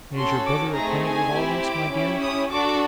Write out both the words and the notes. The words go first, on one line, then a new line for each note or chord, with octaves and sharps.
And is your brother acquainted with all this, my dear?'
C#4 F#4 A4 C6
D6
A3 C4 D#4 G#4 A#5
G#5
C4 E4 G4
D6
C#4 E4 G4
D#6
D4 F#4 A4 D6